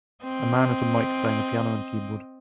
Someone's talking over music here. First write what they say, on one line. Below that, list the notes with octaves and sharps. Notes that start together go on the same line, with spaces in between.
A man at a mic playing a piano and keyboard.
C4 D#5